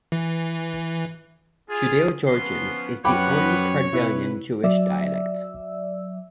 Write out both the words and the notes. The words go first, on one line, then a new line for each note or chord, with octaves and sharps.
Judaeo-Georgian is the only Kartvelian Jewish dialect.
E3
F4 G#4
F3 B3 C#4 C6
F#2 F3 B4 C#5 F#5 G5 B5 D6
C3 E4 B4
F#3 D5 E5 E6